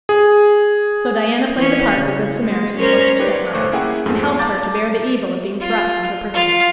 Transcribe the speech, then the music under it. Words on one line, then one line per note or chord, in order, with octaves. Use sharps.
So Diana played the part of a Good Samaritan towards her stepmother, and helped her to bear the evil of being thrust into prison.
G#4
E3 C#4
C#3
G#3
C#4 A#4 C5
D#4 G4 B4 C#5 D5
G1 A3 C5 C#6 D6 F#6
A#3 C#4 E4 G#4 F#5 G5
F2 G#2 F3 G#3 A3
F5 A5 A#5 D6 G6 A6
F4
F4 F5